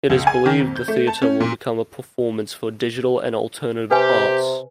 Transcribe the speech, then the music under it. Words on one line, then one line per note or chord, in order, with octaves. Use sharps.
It is believed the theater will become a performance for digital and alternative arts.
C#2
G#5
D#3
F2
G6
A3
A5
C#4
A#2
C3 G4 B4 G#5